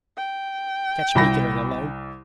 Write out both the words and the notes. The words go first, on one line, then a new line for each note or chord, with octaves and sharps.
'Catch me going alone!
G5
C2 B5 A#6